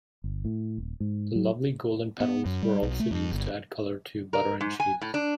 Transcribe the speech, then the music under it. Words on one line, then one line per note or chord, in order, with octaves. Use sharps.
The lovely golden petals were also used to add color to butter and cheese.
G1
A2
D#1
G#2
F#3
B3
F#2
G3
B1
A3
F2
G1
A#4
G#2
G#5
A2
D4